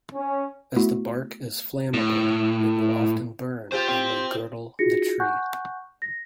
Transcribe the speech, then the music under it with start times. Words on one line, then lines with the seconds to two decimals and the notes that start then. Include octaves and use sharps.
As the bark is flammable it will often burn and may girdle the tree.
0.15 C#4
0.76 A3 B3 E4 F#4
1.94 A2
3.72 C4 F4 G4 C5
3.89 C5 G5
4.79 D#4 F4 F#4 G#4 A#6 C#7
5.20 F#5 G#5 C#6 F#6 G6
6.02 A#6